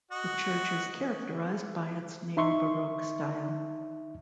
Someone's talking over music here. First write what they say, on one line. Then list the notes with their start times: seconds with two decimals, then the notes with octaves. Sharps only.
The church is characterised by its neo-baroque style.
0.11 F#4 D#5
2.37 D#4 E5 C6 C#6